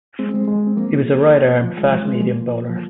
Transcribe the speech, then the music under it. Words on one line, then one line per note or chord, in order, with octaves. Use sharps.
He was a right-arm fast-medium bowler.
G#3 C4
G#3
G#3
C4
F3 A#3
F3
G#3
F3
G#3
G#3
F3 A#3
F3